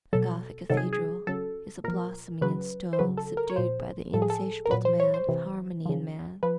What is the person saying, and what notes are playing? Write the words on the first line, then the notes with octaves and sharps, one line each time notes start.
The Gothic cathedral is a blossoming in stone subdued by the insatiable demand of harmony in man.
B2 F#3 A4
C3 D#3 F#3 A4
G#4
G#4
C#3 F#3 A4
A#2 F3 A#4
C#3 F#3 B4
C5
C#3 F#3 B4
A4
A#4
C#5
A#2 F3 C5
A2 F3 A4
G#4
A4
A#4
A#2 F#3 B4
C5
C#5
C5
C3 E3
C#3 F3
F3 B4